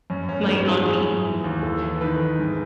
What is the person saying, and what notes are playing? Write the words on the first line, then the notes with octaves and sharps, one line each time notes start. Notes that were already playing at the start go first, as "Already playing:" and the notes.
It might not be.
F#2 C#4
F#2 C#4
G#2 B3
C#4
G#2 E4
G#4
F#2
F#2
E3
D#2
E3 A4
E3
D#3 B4
D#3
G#2